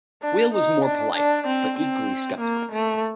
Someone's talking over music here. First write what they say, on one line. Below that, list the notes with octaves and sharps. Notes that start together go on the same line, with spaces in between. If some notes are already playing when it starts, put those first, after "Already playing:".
Will was more polite, but equally sceptical.
D4
D#4
D4
D4
C4
C4
A#3
A3